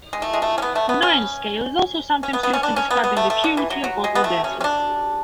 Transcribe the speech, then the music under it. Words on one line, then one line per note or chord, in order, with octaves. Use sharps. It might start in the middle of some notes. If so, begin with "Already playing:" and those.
The nines scale is also sometimes used in describing the purity of bottled gases.
G#3
A3
G#3
A3
C#4
B3
A3
B3
C#4
C#4
B3
B3
C#4
D4
C#4
B3
B3
A3
A3
D3
E3
F#3
F#3
G#3
B3
A3
C#4
C#4
D4